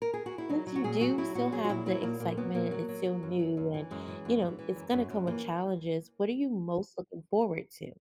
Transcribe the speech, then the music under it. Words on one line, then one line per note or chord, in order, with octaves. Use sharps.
since you do still have the excitement, it's still new, and you know, it's gonna come with challenges, what are you most looking forward to?
A#4
G#4
F#4
E4
F#3 D#4
F#3
F#4
A#2 G#4
F#3 F#4
F#3 E4
A#2 F#4
F#3 G#4
F#4
A#2 E4
F#3 E4
A#2 A#3
A#2 A#3
F#3 B3
A#2 A#3
F#3
F#3
F#3
F#2
F#2
F#2
E3
F#2 G#3
E3
F#2
E3
E3
F#2
F#2
F#2
E3 A#3